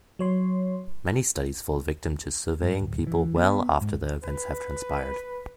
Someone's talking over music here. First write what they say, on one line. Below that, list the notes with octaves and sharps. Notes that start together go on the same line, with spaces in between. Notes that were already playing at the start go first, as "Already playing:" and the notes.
Many studies fall victim to surveying people well after the events have transpired.
F#3 C#5 C6
G2
D1
E3
B3
G#2
B4